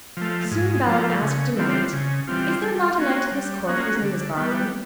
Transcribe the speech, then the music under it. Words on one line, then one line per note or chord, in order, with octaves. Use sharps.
Soon Balin asked a knight, Is there not a knight in this court whose name is Garlon?
F3 A3
G#2
F3 A3
C#3
E3 G3 C4 F4
C#3
E3 G3 C4 F4
G3
A#3 C#4 F#4
G3
A#3 C#4 F#4
D3
G3 B3